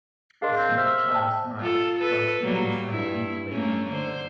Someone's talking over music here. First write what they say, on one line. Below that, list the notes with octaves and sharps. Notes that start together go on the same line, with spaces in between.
A small child smiles while swinging inside a green playground toy.
D4 G#4 A#4 D#5 F5 C6
C4
C5 E5 F6
G5 A5
F4 A4
A4 B4
F#3 G3 A#3
G2 E4
A3 A#3 C#4
D3 C5